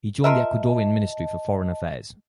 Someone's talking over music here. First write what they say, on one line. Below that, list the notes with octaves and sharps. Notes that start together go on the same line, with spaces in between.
He joined the Ecuadorian Ministry for Foreign Affairs.
F4 A#4 D#5 E5 A5